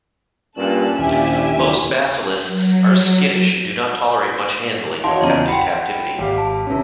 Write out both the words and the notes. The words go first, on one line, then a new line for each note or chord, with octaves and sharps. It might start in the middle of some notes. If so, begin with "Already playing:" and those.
Most basilisks are skittish, and do not tolerate much handling when kept in captivity.
G2 A#2 C#4 A5 E6 F#6
A#1 D#2 A#2 D4 E4 G4 E5 G#5
F#3
D#4 F#4 C#5 F5 A5 C6
E2 C#3 F3 D#5 A#5
F#5 G5 B5 C6 C#7
G#1 G4 F5
A5
C3 E3 C#4